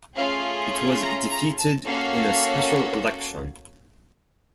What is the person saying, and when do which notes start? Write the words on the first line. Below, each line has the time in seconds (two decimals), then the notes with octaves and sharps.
It was defeated in a special election.
0.15 A3 C#4 F4 G#4 F5
1.02 A#5
1.30 A#5
1.59 A5
1.87 A#3 C#4 F#4 A4 F5